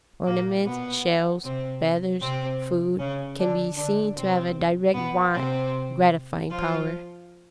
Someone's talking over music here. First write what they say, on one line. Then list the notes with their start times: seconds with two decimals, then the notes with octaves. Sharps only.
Ornaments, shells, feathers, food can be seen to have a direct want-gratifying power.
0.26 A#2 A#3
0.64 B2 B3
1.43 C3 C4
2.20 C3 C4
2.98 C#3 C#4
3.37 D3 D4
3.76 D3 D4
4.16 C3 C4
4.93 B2 B3
5.33 C3 C4
6.50 F3 F4